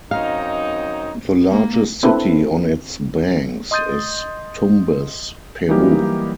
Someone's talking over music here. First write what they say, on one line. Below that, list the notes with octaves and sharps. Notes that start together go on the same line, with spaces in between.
The largest city on its banks is Tumbes, Peru.
F#2 C4 D#4 F5
A#3
C4 D4 E4 A4 B4
D#5 C6 D#6 G6 A6 D#7
E3 F#3 G3 A#3 D#4 G4